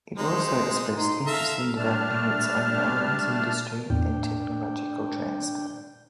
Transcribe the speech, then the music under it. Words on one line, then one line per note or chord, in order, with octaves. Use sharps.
It also expressed interest in developing its own arms industry and technological transfer.
G#3 D#4 C5
D#4 C6
A4 E5 F5 A#5
G3 A3 D4 A5 F6
E2 A2 D4 G5